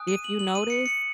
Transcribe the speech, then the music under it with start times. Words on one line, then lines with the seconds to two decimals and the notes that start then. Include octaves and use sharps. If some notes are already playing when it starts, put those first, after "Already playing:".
if you notice,
Already playing: G#5 D#6 F#6
0.08 D#7
0.24 F#7
0.39 F#7
0.55 D#7
0.70 C#7
0.86 C#7